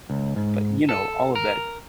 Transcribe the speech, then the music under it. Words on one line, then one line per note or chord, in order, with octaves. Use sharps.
But, you know, all of that
C#2
G#2
A4
A#4